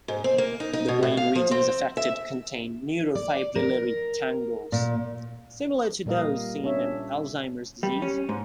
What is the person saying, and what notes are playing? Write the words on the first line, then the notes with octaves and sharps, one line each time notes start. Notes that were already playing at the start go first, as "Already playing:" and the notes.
The brain regions affected contain neurofibrillary tangles, similar to those seen in Alzheimer's disease.
G#2
C4
A#3
D#4
D#4
B2
A2
F5
F3
C4
E5
D5
A#4
A#2
A#2 G3 A#4 D#5 F5
C#4 D4 C#5 E5
G3
C#4
G#2